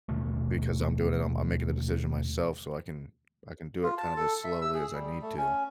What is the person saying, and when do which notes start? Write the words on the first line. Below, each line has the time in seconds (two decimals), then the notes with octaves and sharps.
because I'm doing it. I'm I'm making the decision myself so I can I can do it kind of as slowly as I need to.
0.09 D#2 B2 D3 A3
3.83 F4
3.98 A5
4.17 A4
4.44 E5
4.62 E6
4.74 G#4
4.94 G3
5.22 A3
5.37 C#4